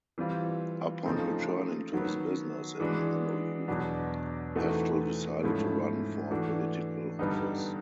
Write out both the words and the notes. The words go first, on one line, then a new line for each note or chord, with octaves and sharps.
Upon returning to his business in Honolulu, Heftel decided to run for political office.
E3 G3 C4 F4
C#3 F3 A3 C4 D#4
D#3 F#3 B3
E3 G#3 B3 D4 F#4
E2 B2 F#3 B3 D4
E3 A3 C4 D#4 F#4
G#2 F3 A3 C#4 E4
E3 A3 D4 F#4
G2 D3 G3 B3 D#4